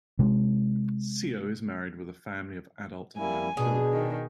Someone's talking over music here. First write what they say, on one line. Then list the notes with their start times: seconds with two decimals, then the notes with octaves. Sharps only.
Sio is married with a family of adult and young children.
0.19 C3 G#3
3.18 G3 A#3 E4 G#5
3.57 B2 D4 G#4
3.93 D#3